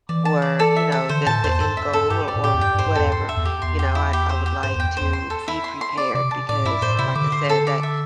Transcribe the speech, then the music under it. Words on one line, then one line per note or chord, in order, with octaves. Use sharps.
or, you know, the the end goal or or whatever, you know, I I would like to be prepared because, like I said, that
E3 D5
A5
D5
A4
E5
A4
D3 C5
A2 A5
E2 C5
G2 A4
E5
A4
G2 G4
D5
A2
G4
E2
G2 G5
G2
C5
G2
E2 A4
G2 C6
E5
E2
G4
E2 C6
G4
E4
G4
C5
G4
G2 C5
E2 G5
E2 C5
C6
A4
E4
C6
C6
D5
C3 D5
A5
A2 D5
G2 E4
A2 C5
C3 E4
D3 D6
C5
A4
D6
E5